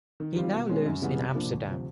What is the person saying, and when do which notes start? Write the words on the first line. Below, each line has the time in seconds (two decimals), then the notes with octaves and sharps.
He now lives in Amsterdam.
0.20 D#3
0.36 G3 C4 F4
0.53 B2
0.69 G#3 C#4
0.86 F#2
1.02 C#3 E3 G3 B3
1.19 C2
1.34 A#2 F3 A#3 D4
1.51 D2
1.67 C3 F3